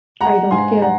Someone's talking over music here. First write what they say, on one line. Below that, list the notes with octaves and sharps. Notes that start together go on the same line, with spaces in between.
I don't care.
G#3 F#5 A#5
G#2 G#5 C6
F#5 A#5